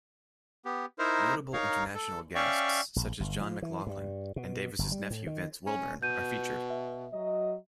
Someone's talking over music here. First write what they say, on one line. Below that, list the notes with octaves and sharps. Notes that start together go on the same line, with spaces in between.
Notable international guests such as John McLaughlin and Davis' nephew Vince Wilburn are featured.
B3 G4
D#4 E4 A#4 C5
D#4 A#4 C#5 F5
A4
C#4 D5 E5 F5 G5 C#6
A#1
G1
F3
E3
G2
B2
G1
G3
A2
D#3
C#4
B2 G6 D#7
E5
F#3 D#5